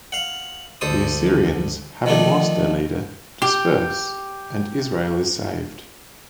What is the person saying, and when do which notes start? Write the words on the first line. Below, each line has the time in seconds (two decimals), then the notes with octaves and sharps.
The Assyrians, having lost their leader, disperse, and Israel is saved.
0.12 F5 F#5
0.81 D2 A4 C5 D#6
2.06 D#3 F3 A3 D4
3.42 G4 G5